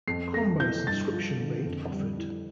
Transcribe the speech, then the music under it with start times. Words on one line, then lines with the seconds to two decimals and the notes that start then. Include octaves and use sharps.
Combo subscription rate offered.
0.08 F2 C7
0.33 A3 A#6
0.59 E3 G6
0.87 G2 A6
1.13 F3
1.40 D3
1.65 F2
1.91 G3
2.18 E3